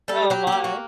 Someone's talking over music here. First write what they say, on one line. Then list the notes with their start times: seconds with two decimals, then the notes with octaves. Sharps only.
Oh my.
0.08 G3 A4
0.30 F#3 G4
0.47 G4
0.52 A#3
0.64 F#4